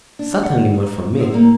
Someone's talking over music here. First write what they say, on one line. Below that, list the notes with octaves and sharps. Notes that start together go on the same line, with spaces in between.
Certainly not from me.
D4
D5 F#5
G#2
F3 G#3 B3 E4 C5
A2 G3 A#3